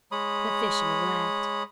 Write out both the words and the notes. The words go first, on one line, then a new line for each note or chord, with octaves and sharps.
The fisherman laughed.
G#3 C#5 B5 D#6